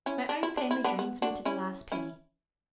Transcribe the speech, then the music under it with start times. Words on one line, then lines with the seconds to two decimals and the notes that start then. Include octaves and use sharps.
My own family drains me to the last penny.
0.06 C#4 E4
0.29 D4
0.43 E4
0.57 D4
0.71 E4
0.84 B3 D4
0.99 B3
1.22 D4 F#4
1.45 C#4 E4
1.92 C#4 E4